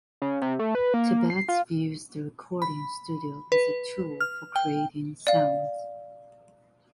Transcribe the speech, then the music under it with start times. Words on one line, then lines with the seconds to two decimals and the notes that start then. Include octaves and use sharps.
Tibbetts views the recording studio as a tool for creating sounds.
0.22 C#3
0.42 C3
0.59 A3
0.75 B4
0.94 A#3
1.30 C7
1.49 F4
2.62 B5
3.52 B4
4.20 F6
4.56 G5
5.27 D5 F5